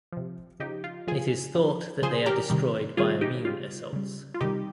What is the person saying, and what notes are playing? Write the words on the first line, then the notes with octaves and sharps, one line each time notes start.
It is thought that they are destroyed by immune assaults.
C3 F3
C#3 F3 D#4 G4
F4
C#3 F3 F4 G#4
C#3 F3
C#3 F3 G#4 C5
G4 A#4
C3 D#3 G3
C3 D#3 G3 F4 G#4
D#4 G4
C#3 G3 F4
C#3 G3
F4
C3 D#3 G3 D#4 G4